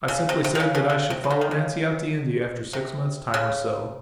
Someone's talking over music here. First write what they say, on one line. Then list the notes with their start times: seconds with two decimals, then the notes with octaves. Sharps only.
I simply said that I should follow Nancy out to India after six months' time or so.
0.08 C#3
0.29 C3
0.44 C3
0.55 D#3
0.60 C#3
0.75 C#3
0.90 C#3
1.10 C3
1.24 C3
1.30 C#3
1.41 D#3
1.51 C#3
2.73 C3
3.34 C#3